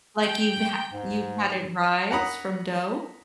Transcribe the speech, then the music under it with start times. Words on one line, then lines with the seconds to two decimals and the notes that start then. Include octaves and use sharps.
Like, you've ha you've had it rise from dough?
0.21 G5 G6
0.91 G#2
2.11 F#5 A#5 B5 D#6